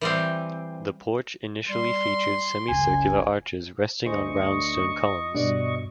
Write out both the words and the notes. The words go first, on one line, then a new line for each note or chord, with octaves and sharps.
The porch initially featured semicircular arches resting on round stone columns.
E3 G3 C4
G3 C6
F#1 C#2 G#5
D2 D#4 G#4 C5 D#5 C#6
G2 B2 B4 D5